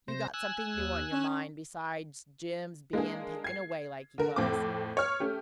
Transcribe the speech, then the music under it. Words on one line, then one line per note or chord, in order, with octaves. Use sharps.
You got something new on your mind besides Jim's bein' taken away like he was.
C3 C5 A#6
G#5 E6 F#6
D#2
C#4
G#3 A#3 D4 G#4
G#6 C7
D3 A#4
F2 A2 C4 D6
C#5 F6
A3 C#4 G4